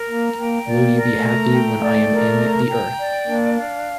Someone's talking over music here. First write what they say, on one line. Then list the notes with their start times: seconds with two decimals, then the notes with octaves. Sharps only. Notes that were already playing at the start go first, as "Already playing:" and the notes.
Will you be happy when I am in the earth?
Already playing: A#4
0.09 A#3 A#5
0.38 A#3 G5
0.66 A#3 D5
0.95 A#4
1.10 A3
1.24 A#5
1.53 G5
1.83 D5
2.11 A#4
2.40 A#5
2.69 G5
2.98 D5
3.27 A#3 D4
3.56 F5